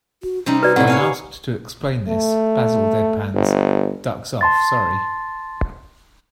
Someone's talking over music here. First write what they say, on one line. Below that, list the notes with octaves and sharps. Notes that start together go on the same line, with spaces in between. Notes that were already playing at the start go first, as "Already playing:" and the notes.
When asked to explain this, Basil deadpans, "Duck's off, sorry".
F#4
C3 G3 C#4 D#4
F#4 B4 D5
A2 C4 D5 F#5 B5
C4 C#5 F5 G#5
G4
A3
G1
A5 C6 A6